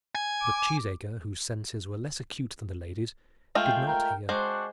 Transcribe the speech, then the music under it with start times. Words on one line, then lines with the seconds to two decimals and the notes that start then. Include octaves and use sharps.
But Cheesacre, whose senses were less acute than the lady's, did not hear.
0.15 G#5
0.40 D6
3.55 G#3 A3 F4 G5
3.87 A#4 G5
4.29 G#3 C4 D4 F#4 C5